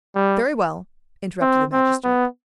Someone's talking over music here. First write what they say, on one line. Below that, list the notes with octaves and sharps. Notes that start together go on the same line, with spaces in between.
"Very well!" interrupted the magistrate.
G3
C4
C4
B3